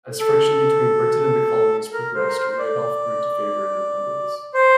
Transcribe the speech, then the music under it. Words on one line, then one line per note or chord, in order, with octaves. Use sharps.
As friction between Britain and the colonies progressed, Randolph grew to favor independence.
A4
A#4
C5
A#4
C5
C5
D5
C5